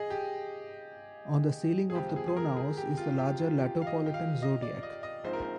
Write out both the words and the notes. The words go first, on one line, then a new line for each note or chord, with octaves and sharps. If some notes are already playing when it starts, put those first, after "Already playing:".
On the ceiling of the pronaos is the larger Latopolitan Zodiac.
Already playing: G#4 D#5
G4
G#4
F2 C3 F3 G#3 G4
G#4
G#4
A#4
G#4
G4
F4
G4
F4
G4
F5
D#5
G5
F5
D#5
D5
D#5
D#5
A#1 A#2 G#3 C4 D#4 C5
A#4
C5